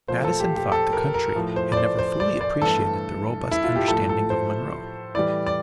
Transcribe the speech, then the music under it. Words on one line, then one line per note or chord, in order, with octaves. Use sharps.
Madison thought the country had never fully appreciated the robust understanding of Monroe.
A#2 F3 A3 C5
A4
G4
G4
A4
A#4
A#4
A2 F3 A3
C5
D5
C5
C5
D5
D5
G2 E3 A3 A4
E4
F4
G4
A2 F3 A3 A4
A4
C5
A2 E3 G3 D5
D5